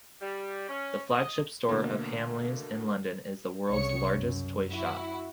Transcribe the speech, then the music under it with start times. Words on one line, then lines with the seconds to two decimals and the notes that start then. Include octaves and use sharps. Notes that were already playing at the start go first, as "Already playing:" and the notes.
The flagship store of Hamleys in London is the world's largest toy shop.
0.21 G3
0.69 C#4
1.11 D#5
1.69 B2 D3 A3 A#3
3.69 C2 C#3 C#5 C#7
4.15 F#2
4.71 E4 F#4